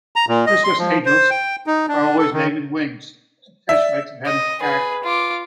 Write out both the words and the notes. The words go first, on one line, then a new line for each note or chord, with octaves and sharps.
Christmas angels are always made with wings to accentuate their heavenly character.
A#5
A#2
D#5
C6
F3
C5
G5
D#4
D4
A4
D#3
D5 E5
D#5
G#4 B4
F4 D6